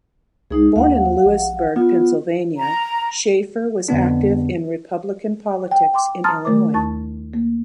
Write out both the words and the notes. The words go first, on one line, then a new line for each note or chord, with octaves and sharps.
Born in Lewisburg, Pennsylvania, Shaffer was active in Republican politics in Illinois.
C#2 G#3 D#4 G#4
D#2 F5 F#5
A#1
B3 F4
A#5
F2 D3 B3 D4
G5
G5 C6 D6
A5 A#5 C6 D#6 F6 A6
D#3 A3 A#4 C5 D6
D#2 E4 A5 C#6 A6
A#3